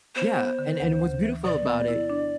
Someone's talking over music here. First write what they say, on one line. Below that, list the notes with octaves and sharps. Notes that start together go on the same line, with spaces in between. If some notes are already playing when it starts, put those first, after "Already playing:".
Yeah, and and what's beautiful about it
B3 C5
B3
D3
D2
D2
E3
B2 D5
B3
E4
D4